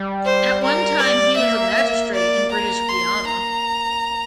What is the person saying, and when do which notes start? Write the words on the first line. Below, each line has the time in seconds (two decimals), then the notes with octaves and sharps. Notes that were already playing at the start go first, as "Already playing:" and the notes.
At one time he was a magistrate in British Guiana.
Already playing: G3
0.25 C5
0.64 A#4
1.00 D5
1.38 A#3 E5
2.14 D5
2.52 A#5
2.89 C6
3.27 A#5